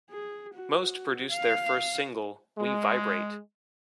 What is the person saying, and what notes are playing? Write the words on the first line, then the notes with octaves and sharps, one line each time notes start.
Most produced their first single, "We Vibrate".
G#4
F#4
F5
G#3